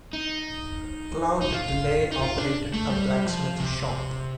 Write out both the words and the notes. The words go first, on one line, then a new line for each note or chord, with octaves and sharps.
Claude Delaye operated a blacksmith shop.
D#4
D#4
F4
D#4
F4
D4
A3
G3
F3
C3